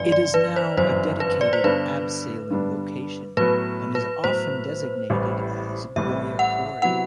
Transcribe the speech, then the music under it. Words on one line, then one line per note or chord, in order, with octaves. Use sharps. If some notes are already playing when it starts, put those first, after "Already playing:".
It is now a dedicated abseiling location, and is often designated as 'Boya Quarry'.
Already playing: G1 F#2 E3 D5
D5
B4
C5
G1 F#2 E3 C5
B4
D5
C5
G2 D3 G3 B3 D4 B4
G2 D3 G3 B3 D4
A2 F#3 B3 B4
B4
A2 F#3 B3 C5
A1 A2 G3
A1 A2 G3 E5
F#5
C3 F#3 B3 E4 F#5